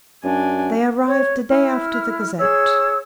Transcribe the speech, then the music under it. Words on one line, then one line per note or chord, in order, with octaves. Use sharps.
They arrived the day after the Gazette.
F#2 D4 G#5
C#5
E4 F6
G#4 C#5 E6